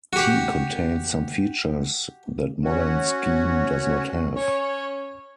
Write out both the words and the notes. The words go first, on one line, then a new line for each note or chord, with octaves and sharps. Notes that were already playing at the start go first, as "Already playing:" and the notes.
T contains some features that modern Scheme does not have.
F#4 G4
C#4 F#4
C#4 C#5